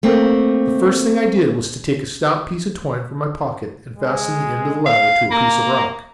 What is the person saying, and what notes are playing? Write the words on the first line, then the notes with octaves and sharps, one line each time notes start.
The first thing I did was to take a stout piece of twine from my pocket and fasten the end of the ladder to a piece of rock.
A3 A#3 C4
G#3
F5
A#3 A#5